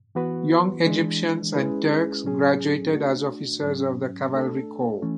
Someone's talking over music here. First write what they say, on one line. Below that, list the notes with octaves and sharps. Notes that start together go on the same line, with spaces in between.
Young Egyptians and Turks graduated as officers of the Cavalry Corps.
E3 B3 F#4 B4
E3 G#3 D4
G#3 C#4 E4 G#4 B4
A2 F#3 C#4 G#4
A3 D4 F#4
G#2 F#3 C#4
A3 D4 A4
E3 A3 C#4